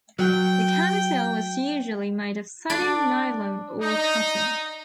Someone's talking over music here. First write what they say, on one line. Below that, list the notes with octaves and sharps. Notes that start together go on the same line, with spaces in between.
The camisole is usually made of satin, nylon, or cotton.
F#3 G5
D4 D5
D#4